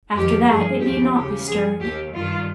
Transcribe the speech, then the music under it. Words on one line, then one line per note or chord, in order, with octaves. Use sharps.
After that it need not be stirred.
F2 D#3 G4
G2 F3 G#4
D#2 C#3 F3 G4
D#2 C#3 F3 G4
G2 F3 G#4
D#2 D#3 G4
G2 D#3 F4